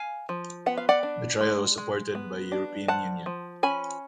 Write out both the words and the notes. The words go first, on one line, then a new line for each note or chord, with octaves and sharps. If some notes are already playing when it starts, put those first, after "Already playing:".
The trial was supported by European Union.
Already playing: F5 G#5
F3
B3 F#5
F5
D5 F#5
D4
G#3
G#3
B3
D4
F3 F#5 A5
F3
C#4 G#5 B5